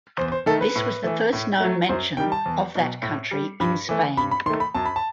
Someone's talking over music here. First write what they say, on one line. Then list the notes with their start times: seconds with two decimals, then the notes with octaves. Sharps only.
This was the first known mention of that country in Spain.
0.18 E2 C5
0.32 C5
0.46 D#3 A3 A4
0.61 B4
0.76 A2
1.03 E3 A3
1.33 A2
1.60 F#3 A3
1.89 F#2 C5
2.17 D#3 G3 G5
2.32 A5
2.46 E2
2.75 B2 F#3
3.03 A2
3.31 G3
3.60 G2 B5
3.89 E3 A3
4.17 G2 B5
4.31 B5
4.46 D#3 C6
4.50 A3
4.60 B5
4.74 F#2 A5
4.85 B5
4.96 A5